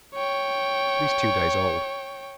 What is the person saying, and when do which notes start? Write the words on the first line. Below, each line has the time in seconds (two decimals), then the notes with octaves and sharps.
It was at least two days old.
0.14 C#5 G5